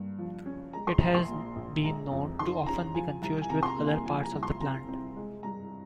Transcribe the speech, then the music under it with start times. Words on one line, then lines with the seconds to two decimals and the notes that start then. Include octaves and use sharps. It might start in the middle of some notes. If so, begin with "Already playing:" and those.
It has been known to often be confused with other parts of the plant.
Already playing: G2 A#3
0.18 F3
0.46 C#4
0.73 G#3 A#5
0.87 C6
1.01 A#1 A#5
1.15 C6
1.28 A#2
1.56 A#1
1.84 G#3 A#5
2.11 F2
2.39 D#3 C6
2.66 C#4 A#5
2.94 F3 G#5
3.22 C2 A#5
3.42 G#5
3.50 C3 A#5
3.63 C6
3.68 A#5
3.78 A#3
3.87 G#5
4.05 F3 G#5
4.23 A#5
4.33 C2
4.43 C6
4.60 C3 A#5
4.88 C4
5.17 G#3
5.43 G2 A#5